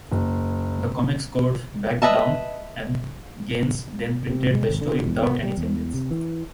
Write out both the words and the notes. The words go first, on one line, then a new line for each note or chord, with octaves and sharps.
The Comics Code backed down, and Gaines then printed the story without any changes.
F#1
B4 D#5 E5 A5
C3
G#3
G#1
D3
E2
B3
G3
E2
C3
E3